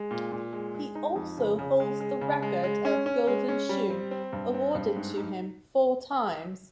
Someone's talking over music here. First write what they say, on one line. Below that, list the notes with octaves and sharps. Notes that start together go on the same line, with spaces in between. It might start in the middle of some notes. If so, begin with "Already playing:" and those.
He also holds the record of Golden Shoe, awarded to him four times.
Already playing: G#3
A#2
A#2
G#3
G#3
D#4
F2
C#3
C#3
G#3
G#3
C#3
G#3
G#3
C#4
C#4
G#3
C#4
G3
C4
C4
G2
C4
G2
G#2
D#4